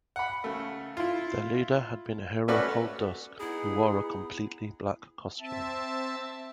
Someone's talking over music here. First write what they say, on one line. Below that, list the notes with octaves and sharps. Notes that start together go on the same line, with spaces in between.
Their leader had been a hero called Dusk, who wore a completely black costume.
F#5 B5
C#3 A3
E4 F4
A3 C#4 F#4 B4 D5
B3 D#4 E4 G#4
C4 E5 A5